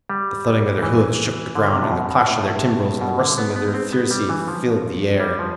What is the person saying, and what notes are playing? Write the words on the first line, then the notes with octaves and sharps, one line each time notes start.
The thudding of their hooves shook the ground, and the clash of their timbrels and the rustling of their thyrsi filled the air.
G3
E3
D3
C3
A2
B2
B2
A2
B2
D3
B3
B3
C4
B3
G3
E3
F3
G3
F3